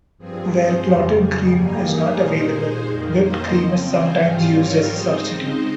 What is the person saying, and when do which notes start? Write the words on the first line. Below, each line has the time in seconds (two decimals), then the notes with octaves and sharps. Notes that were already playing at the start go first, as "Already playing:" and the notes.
Where clotted cream is not available, whipped cream is sometimes used as a substitute.
0.18 G2 F3 C4 G#4
0.51 G#4 C5
0.85 F2 C#3 G3 G4 A#4
1.19 G#4
1.52 G2 G3 A#3 D#4 G#4
1.85 G4 A#4
2.19 A#2 G#3 D#4 G#4 C5
2.87 F2 D#3 A#3
3.20 C5 D#5
3.53 C#3 F3 C4
3.87 G#4 C5
4.20 G#2 G3 C4 F4
4.54 A#4 C#5
4.87 C#3 G#3 C4 D#4 C5 D#5